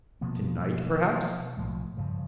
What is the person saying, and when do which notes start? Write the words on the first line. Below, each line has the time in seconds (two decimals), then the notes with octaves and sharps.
Tonight perhaps.
0.21 B2 F3 A#3 B3
1.57 B1 A2 F3 G#3
1.97 G2 C#3 F3